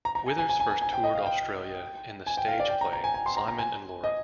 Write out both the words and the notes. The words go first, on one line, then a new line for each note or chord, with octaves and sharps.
Withers first toured Australia in the stage play "Simon and Laura".
A#5
A#5
G#5
G#5
G#5
G#5
G#5
G#5
G5
D#5
F5
G5
G#5
G5
F5
D5
G5
A#5
A#5
G#5
G#5
C6
A#5
A#5
G#5
D#5